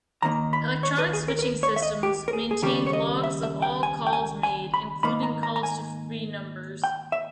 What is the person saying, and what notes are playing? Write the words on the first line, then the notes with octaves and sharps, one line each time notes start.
Electronic switching systems maintained logs of all calls made, including calls to free numbers.
D#2 D#3 A#3 A#5
B5
C#5
B4
G#4
A#4
A#4
B4
C#5
E5
D#5
G4
A#4
G#4
G#4
D#2 C#3 G3 A#3 G4
C#5
D#5
E5
E5
G5
G#5
G5
G#5
G#5
B5
G#2 D#3 A#3 B5
A#5
A#5
A#5
G#5
G5
E5